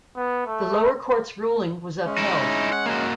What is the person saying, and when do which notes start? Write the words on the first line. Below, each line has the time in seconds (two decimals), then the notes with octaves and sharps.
The lower court's ruling was upheld.
0.16 B3
0.46 A3
2.06 G#3 C#4
2.18 D#4 E4
2.72 F#5
2.86 A#3 F#4